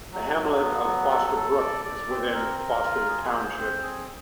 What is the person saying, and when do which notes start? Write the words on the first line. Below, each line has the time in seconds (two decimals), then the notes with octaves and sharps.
The hamlet of Foster Brook is within Foster Township.
0.12 F#3
0.36 F#3
0.61 B3
0.86 F#3
1.11 A4
1.36 A4
1.60 D5
1.85 D5
2.09 C4
2.34 A#4
2.59 A#4
2.83 F4
3.08 G#4
3.34 C5
3.59 C4
3.83 G#4